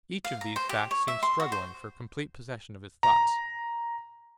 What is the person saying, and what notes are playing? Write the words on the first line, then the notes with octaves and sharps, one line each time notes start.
Each of these facts seemed struggling for complete possession of his thoughts.
F5
A#5
C5
G4
C#5
E5
C6
F#4
C5
A#5